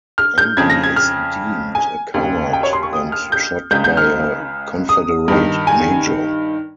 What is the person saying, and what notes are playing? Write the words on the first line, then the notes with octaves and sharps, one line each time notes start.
Andy is deemed a coward and shot by a Confederate major.
F6
G6
F2 C#3 G#6
A#6
G#6
F6
G#5
D#2 C#3
G5
C#5
C6
C#6
D#6
F6
G6
C#2 C#3 G6
G6
F6
D#6
G2 D#3
G#5